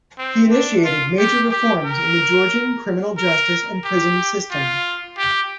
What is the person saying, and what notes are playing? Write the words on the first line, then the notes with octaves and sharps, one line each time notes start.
He initiated major reforms in the Georgian criminal justice and prisons system.
C4
D4
F4
G4
G4
A#4
A#4
G4
F4
G4